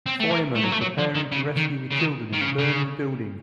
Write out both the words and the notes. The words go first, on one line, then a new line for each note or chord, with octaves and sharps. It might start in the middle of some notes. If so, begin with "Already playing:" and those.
Fireman are preparing to rescue the children in the burning building.
C4
A3
A#3
A3
F#3
A3
F#3
F3
D#3
C#3
D#3
C#3
D#3
D#3
C#3
C#3